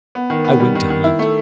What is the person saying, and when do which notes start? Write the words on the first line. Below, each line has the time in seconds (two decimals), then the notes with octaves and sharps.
I went to hunt.
0.15 B3
0.30 D#3
0.44 B3
0.60 G3
0.75 D#3
0.90 D#3
1.04 E4
1.19 A3